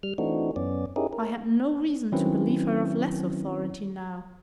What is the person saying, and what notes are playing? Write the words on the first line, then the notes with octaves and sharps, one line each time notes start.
I had no reason to believe her of less authority now.
G3 F6
E3 A3 C4 D4 D#4 F#4
F#2 B3 C#4 D5
C#4 D#4 E4 G4 G#4 A#4
A#4
D#3 F#3 C4 C#4 E4 B4